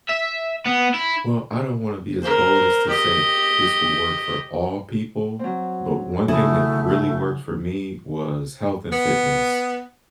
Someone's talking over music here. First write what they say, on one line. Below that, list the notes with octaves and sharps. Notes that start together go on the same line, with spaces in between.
Well, I don't wanna be as bold as to say this will work for all people, but one thing that really worked for me was health and fitness.
E5
B3
E4
A#4 C5
G4 D#5
F#3 C4
C#3 A3 E4 D#6
B3